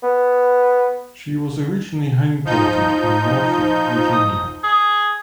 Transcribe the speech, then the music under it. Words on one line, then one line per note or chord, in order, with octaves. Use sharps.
She was originally homeported in Norfolk, Virginia.
B3
F3 D#4 G6
D#6
G#4